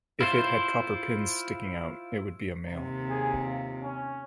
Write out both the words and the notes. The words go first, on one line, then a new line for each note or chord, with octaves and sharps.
If it had copper pins sticking out, it would be a male.
E4 F4 C5
D#2 C3
G#4
F4
C#4